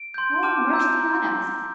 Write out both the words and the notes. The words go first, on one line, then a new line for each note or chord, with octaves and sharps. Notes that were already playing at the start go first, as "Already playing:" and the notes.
Oh, mercy on us!
Already playing: D7
C6 G6
A5 D6 F6 E7
A#5 E6 G6